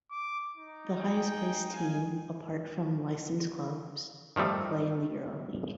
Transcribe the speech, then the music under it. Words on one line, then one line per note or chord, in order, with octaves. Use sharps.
The highest-placed team, apart from licensed clubs, play in the EuroLeague.
D6
D#4
G#4 G5
G#3 F5 G#5
D#3 F3 G3 A3 C4